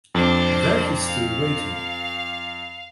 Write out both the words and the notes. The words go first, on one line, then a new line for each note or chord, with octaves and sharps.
There he stood, waiting.
F2 D4 C5
F5